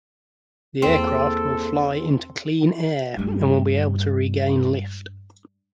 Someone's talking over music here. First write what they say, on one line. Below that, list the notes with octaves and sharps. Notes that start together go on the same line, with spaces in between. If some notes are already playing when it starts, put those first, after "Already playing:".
The aircraft will fly into "clean air", and will be able to regain lift.
E2 A#3 C4 E4 G#4 A4 C6
G2 A3